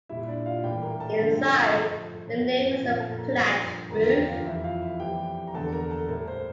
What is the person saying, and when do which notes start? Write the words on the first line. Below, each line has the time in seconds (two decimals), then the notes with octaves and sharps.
Inside, the nave has a flat roof.
0.09 A#2 G3 E4 E5
0.28 D4 D5
0.46 F4 F5
0.64 A2 E3 G3 G4 G5
0.82 A#4 A#5
1.00 A4 A5
1.19 G2 D3 F3 A4 A5
1.36 G4 G5
1.54 F4 F5
1.73 A2 F3 A4 A5
2.27 A2 F3
2.82 A#2 F3
3.00 A4 A5
3.18 A#4 A#5
3.37 G2 F3
3.91 E2 D3 F3 A#4 A#5
4.10 G4 G5
4.28 F4 F5
4.46 F2 E3 G3 E4 E5
4.64 F4 F5
4.82 E4 E5
5.00 F2 E3 G3 G4 G5
5.47 A#5
5.54 E2 D3 G3 A4 A5
5.72 A#4 A#5
5.90 A4 A5
6.08 A2 G3 A#4
6.28 C5